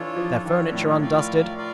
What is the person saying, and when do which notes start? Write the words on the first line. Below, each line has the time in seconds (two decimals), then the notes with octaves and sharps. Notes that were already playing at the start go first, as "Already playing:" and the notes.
Their furniture undusted.
Already playing: E3 D4 F4 A4 C#5
0.16 F3
0.44 D#3 D4 F4 A4 C#5
0.72 A2
1.00 F4 A#4 D5 F5
1.56 F4 A#4 D5 F5